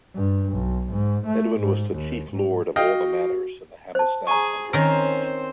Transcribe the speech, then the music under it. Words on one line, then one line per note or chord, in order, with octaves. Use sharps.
Edwin was the chief lord of all the manors in the Hamestan Hundred.
G2
B1
G#2
A3
G#2
D#2
G#2
F#4 D#5 F5 G5
C5 A5
G#4 G#5 A#5 C#6
D#3 C4 C#4 A#4 C5